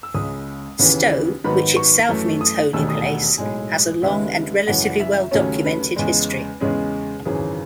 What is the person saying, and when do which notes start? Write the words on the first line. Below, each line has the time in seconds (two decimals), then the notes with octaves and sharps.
Stow, which itself means "Holy Place" has a long and relatively well-documented history.
0.03 E6
0.14 C#2 C#3 G#3 D#6
0.79 D#2 C#3 E3 B3
1.44 G#2 D#3 F#3 B3 B5
1.76 C#6
2.09 F#2 E3 A3
2.41 D#6
2.73 E1 D#2 D#3 A3 E6
2.89 D#6
3.05 F#5
3.37 B1 A2 G#3 G#5
4.02 D#2 C#3 G#3 B3 E5
4.67 F#2 C#3 E3 G#3 F#5
4.84 F#5
5.00 E5
5.31 D#2 C#3 F#3 A3 C#4 C#5
5.65 B4
5.96 E2 C#3 G#3
6.61 E2 C#3 G#3 C#4 G#4
7.25 G#1 F#2 C#3 E3 G#4